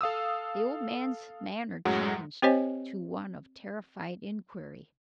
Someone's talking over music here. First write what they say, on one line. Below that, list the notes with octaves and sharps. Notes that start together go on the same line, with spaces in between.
The old man's manner changed to one of terrified inquiry.
A4 F5 D#6 E6
F#2 A2 F#3 G#3 F#5
C4 G4 C5 C#5 D#5 G#5